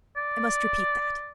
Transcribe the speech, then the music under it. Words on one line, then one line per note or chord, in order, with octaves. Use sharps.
"I must repeat that."
D5